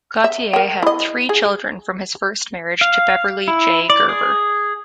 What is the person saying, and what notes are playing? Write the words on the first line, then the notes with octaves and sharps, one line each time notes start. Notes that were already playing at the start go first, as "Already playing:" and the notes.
Gautier had three children from his first marriage to Beverly J. Gerber.
E5
A#4 G5
E4 D#5
G#4
F5
E4
D5
G#4